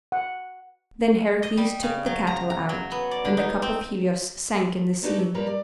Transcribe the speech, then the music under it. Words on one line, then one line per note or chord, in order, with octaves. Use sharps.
Then Heracles took the cattle out, and the cup of Helios sank in the sea.
F#5
D#5
G3
C#3
F#3
A#5
A#5
F#3
B3
D5
D3
D#4
C4
G#3 D4 D#4 F#4 G4 B4
F#3
F2 A#2 G3 A#4 B4 A#5
D5